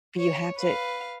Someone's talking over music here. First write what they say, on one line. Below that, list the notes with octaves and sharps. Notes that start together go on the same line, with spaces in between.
You have to
C#5
B4 F5